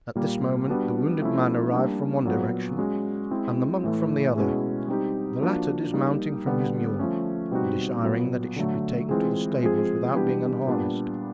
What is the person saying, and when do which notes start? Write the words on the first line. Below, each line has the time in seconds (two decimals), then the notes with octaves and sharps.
At this moment the wounded man arrived from one direction and the monk from the other, the latter dismounting from his mule and desiring that it should be taken to the stables without being unharnessed.
0.15 A#2 G3 A#3
0.68 G3 B3 D4 F#4
1.21 F3 A3 C#4 E4
1.72 G3 A#3 D4
2.25 A#2 F#3 B3
2.78 G#3 C#4 F#4
3.31 G#3 C4 E4
3.84 A2 E3 A3
4.36 B2 G#3 C#4 E4 G#4
4.88 G3 C4 D#4 G4
5.41 F3 A#3 D4 F#4
5.93 G3 A#3 D#4 G4
6.46 D3 G3 B3
6.99 F3 A3 C#4
7.51 B2 G3 C4 D#4 F#4
8.03 A#2 F#3 B3
8.56 D3 F#3 A3
9.09 E3 G#3 C4 F4 G#4
9.62 F3 G#3 C4 F4 G#4
10.14 E3 G3 B3 D4 G4
10.67 A#2 G3 B3 D4